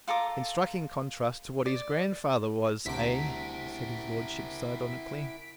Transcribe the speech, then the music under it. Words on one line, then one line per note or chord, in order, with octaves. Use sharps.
"In striking contrast to what his grandfather was, eh?" said his lordship sardonically.
F4 A4 A#5 D6
D5
D2 C3 E4 A#4 F#5 A5 B6 D7